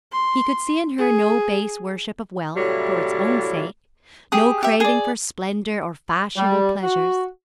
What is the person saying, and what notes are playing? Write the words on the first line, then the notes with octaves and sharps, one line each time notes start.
He could see in her no base worship of wealth for its own sake, no craving for splendour or fashionable pleasures.
C6
G#4
A2 C3 F#3 G3 E4 F4
G4 G#4 D#6
G4 E5
G#4 D5
G3
F#4